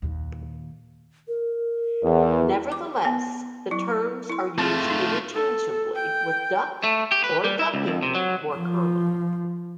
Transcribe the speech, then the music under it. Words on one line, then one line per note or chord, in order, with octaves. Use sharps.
Nevertheless, the terms are used interchangeably with duck or ducking more common.
D#2 A#2
A#4
E2
D6
B3
F#3 E4
E4 C6
A3 C4 F4 G#4
D#4
A4
G5
A3
G4
B4
G3
E4
C#2
F2
C3
F#3
F3